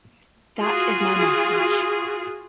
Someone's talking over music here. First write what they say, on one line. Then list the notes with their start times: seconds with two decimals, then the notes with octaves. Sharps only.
That is my message.
0.60 F4 F#4 G#4